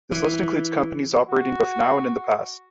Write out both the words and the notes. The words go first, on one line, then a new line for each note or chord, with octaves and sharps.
This list includes companies operating both now and in the past.
E3
F#4